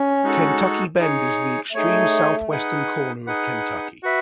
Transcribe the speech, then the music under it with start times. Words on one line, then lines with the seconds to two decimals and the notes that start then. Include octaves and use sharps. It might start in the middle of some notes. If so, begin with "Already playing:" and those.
Kentucky Bend is the extreme southwestern corner of Kentucky.
Already playing: C#4
0.23 G#3 D#4 F#4 A4
0.99 D#4 G#4 C#5
1.75 A3 D#4 G#4 C#5
2.51 D#4 G#4 B4 F#5
3.27 D#4 G#4 B4 F#5
4.03 F#4 B4 E5